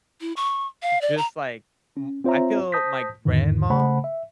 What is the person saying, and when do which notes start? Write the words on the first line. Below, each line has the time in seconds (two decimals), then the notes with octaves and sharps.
just like m I feel my grandma
0.21 E4
0.36 C#6
0.82 F5
1.01 D5
1.17 A#5
1.97 C#4
2.24 C4 F4 C5 C#5 E5 A#5
2.72 C5 A5 D#6 G6 A#6 B6
3.25 E2 G#2 D3 D#3
3.70 C#3 A3 C5 F#5 A5 B5
4.04 E5